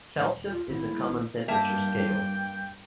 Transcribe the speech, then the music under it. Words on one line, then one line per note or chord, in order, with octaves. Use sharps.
Celsius is a common temperature scale.
A2 D#3
D#1
F4
B1 D#3 C4 E4
G#3 A#3
A#1 D#3
G2 A#3 E5 G5 A5